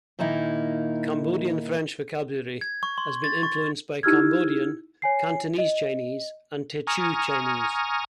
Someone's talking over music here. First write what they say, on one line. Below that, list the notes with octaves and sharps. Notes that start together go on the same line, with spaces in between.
Cambodian French vocabulary has been influenced by Cambodian, Cantonese Chinese, and Teochew Chinese.
A#2 D#3 A#3 D#4 E4
G#6
C#6
C6
A6
C#6
D#4 E4 G4 E6 F6 G#6
C#5 G#5 C7
D#5
G#5 A#5 C#6 D#6 F6